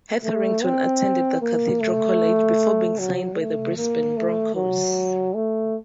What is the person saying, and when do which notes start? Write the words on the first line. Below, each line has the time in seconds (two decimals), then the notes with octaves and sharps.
Hetherington attended The Cathedral College before being signed by the Brisbane Broncos.
0.23 A3
0.63 C4
1.41 A#3
1.81 A3
2.99 F#3
3.38 A3
3.77 A#3
4.17 A3
4.55 F#3
5.35 A3